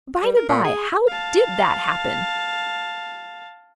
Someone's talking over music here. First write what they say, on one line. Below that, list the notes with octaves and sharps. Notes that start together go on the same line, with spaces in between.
By the by, how did that happen?
G3
A#4
A#2
G#4
F5 A5